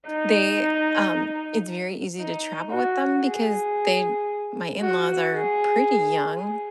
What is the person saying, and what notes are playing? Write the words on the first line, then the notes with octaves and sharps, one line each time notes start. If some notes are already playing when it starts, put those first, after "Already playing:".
they um, it's very easy to travel with them because they my in-laws are pretty young.
D#4
D#4
F#4
G#4
F#4
G#4
G#4